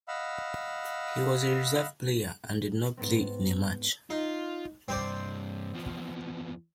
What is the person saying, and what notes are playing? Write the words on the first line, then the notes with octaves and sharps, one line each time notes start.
He was a reserve player and did not play in a match.
D#5 F5 F#5 B5 E6
G#2 B3 C4
D#4 F4
G2 C3 C4 C5 D5
E2 F3